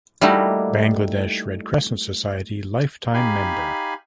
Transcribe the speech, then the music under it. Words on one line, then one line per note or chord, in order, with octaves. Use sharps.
Bangladesh Red Crescent Society Life time Member.
G3 A3 A#3 D#4 E4 F#4
D#4 G4 F5 G#5 B5